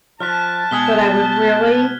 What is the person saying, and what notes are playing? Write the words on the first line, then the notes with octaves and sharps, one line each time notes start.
but I would really
F3 A5 F6 F#6 B6
B2 G#3 G#4 G#6 B6 G7